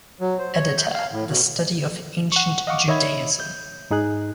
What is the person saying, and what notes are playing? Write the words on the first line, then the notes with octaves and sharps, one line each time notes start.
Editor: The Study of Ancient Judaism.
F#3
C5
C#5
G6
F5
A2
B2
F#5 C#6
D#5 F5 F#5 C#6 D6
D#3 C#5 D#5 E5 B5 G#6
G6
G#2 D#4 G#4 F#6